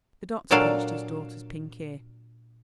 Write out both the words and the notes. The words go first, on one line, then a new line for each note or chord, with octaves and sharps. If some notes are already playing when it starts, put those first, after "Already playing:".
The doctor pinched his daughter's pink ear.
A#2 F#3 D4 A4 F5